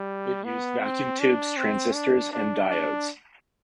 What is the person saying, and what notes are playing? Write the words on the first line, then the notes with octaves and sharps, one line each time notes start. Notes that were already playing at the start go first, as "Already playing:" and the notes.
It used vacuum tubes, transistors, and diodes.
Already playing: G3
B3
C4
D4
C4
D4
D4
D4